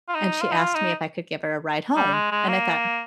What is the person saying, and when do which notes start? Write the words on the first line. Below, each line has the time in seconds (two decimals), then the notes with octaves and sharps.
and she asked me if I could give her a ride home, and I thought,
0.08 F4
0.15 D#4
0.41 F4
0.51 D#4
0.59 F4
0.75 D#4
1.96 G3
2.13 G#3
2.32 G#3
2.49 A#3